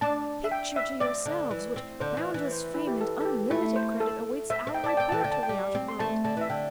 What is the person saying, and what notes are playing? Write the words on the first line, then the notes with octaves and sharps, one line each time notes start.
Picture to yourselves what boundless fame and unlimited credit awaits our report to the outer world!
D4 A5
E5
G5
E5
C4 D5
D3
E3
C4
D3 C5
E3
E3
C5
E4
G4
A4
A4
G4
A3 E4
C5
A4
C4 E5
C4
G5
D4 A5
C4 G5
E3 A5
D3 G5
A5
G5
G3
C4
C6
A3 A5
D3 A5
E3 E5
D3 G5